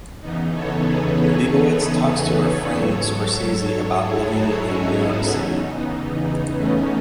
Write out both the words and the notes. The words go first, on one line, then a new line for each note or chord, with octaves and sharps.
Lebowitz talks to her friend Scorsese about living in New York City.
E2 C#3 E3 B3 D#4
A4 C#5
G#4 B4
G#2 F#3 A4 C#5
E4 G#4
D#4 F#4
C#4 E4
B3 D#4
E2 C#3 E3 B3 D#4
A3 C#4